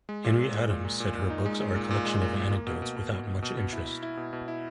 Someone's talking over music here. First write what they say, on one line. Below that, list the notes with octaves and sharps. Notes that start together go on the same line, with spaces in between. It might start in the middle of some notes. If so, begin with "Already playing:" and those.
Henry Adams said her books are a collection of anecdotes without much interest.
G#3
A#2
A#2
G#3
A#2
A#2
A#2
A#2
D#4
G#3
G#3
A#2
A#2
G#3
A#2
A#2
A#3
B2
B2
B2
B2
B2
B2
B2
E4
E4
E4
B2
B2
E4